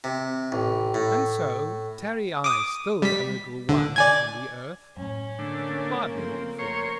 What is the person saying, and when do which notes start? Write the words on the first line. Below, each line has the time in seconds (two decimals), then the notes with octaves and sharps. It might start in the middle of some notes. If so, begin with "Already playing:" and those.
And so tarry I still a little while on the earth--pardon me for it!
0.04 C3
0.52 A1
0.94 A2
2.44 D6 D#6
3.02 G3 B6
3.69 D3
3.96 D5 G#5 G#6
4.97 F#2 A2 C#4
5.39 D3 A3 A#3 D4
6.16 C#3 F3 A3 C4
6.59 A#4 C5 C#5 C#6